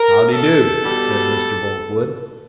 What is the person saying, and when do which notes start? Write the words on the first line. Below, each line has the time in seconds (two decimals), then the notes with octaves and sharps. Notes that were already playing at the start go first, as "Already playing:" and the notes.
"How dee do," said Mr. Boltwood.
Already playing: A#4
0.32 A4
0.81 B2 G3